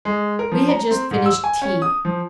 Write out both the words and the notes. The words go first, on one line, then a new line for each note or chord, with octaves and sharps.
We had just finished tea.
G#3
A#4
F3
A#5
C4
G#2
E6
G#5
C#4
D#6
F3